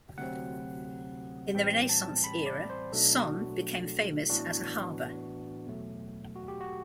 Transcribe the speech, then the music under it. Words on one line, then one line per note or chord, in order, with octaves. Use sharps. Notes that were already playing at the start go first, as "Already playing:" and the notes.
In the Renaissance era, Son became famous as a harbour.
D2 C3 F#3 C4 F#5
A1 A2 E3 G3 C4 G5
A5
B5
D5
C5
B1 B2 F#3 A3 D4 A4
F#4
A2 E3 B3 D4 F#4
E2 B2 F#3 A3
F#4
G4
F#4